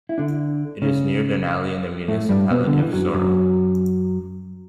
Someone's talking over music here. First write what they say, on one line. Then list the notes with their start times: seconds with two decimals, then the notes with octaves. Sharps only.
It is near Dunalley in the municipality of Sorell.
0.09 E4
0.18 D3 D4
0.82 C#3 C#4
2.08 A2 A3
2.29 G2 G3
2.51 B2 B3
2.67 D3
2.80 E3
2.93 F#2 F#3
3.14 F#2 F#3